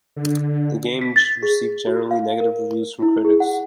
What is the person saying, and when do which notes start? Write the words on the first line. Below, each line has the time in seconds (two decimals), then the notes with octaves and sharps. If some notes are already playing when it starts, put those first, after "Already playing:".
The game received generally negative reviews from critics.
0.16 D3
1.01 B6
1.16 A6
1.43 G#4
1.87 F#4
2.11 F5
2.40 A#4
3.02 E4
3.25 G#4
3.40 F#5